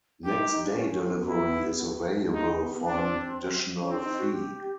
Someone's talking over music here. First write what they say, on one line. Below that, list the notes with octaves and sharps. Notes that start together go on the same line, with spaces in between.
Next day delivery is available for an additional fee.
D4 G4
E4
D#4
D#4
D4
C#4
C#4
C4
B3
E4
B3
A#3 D#4
B3
B3
B3
C4 D4
C#4
C4 D4
D#4
F#4
G4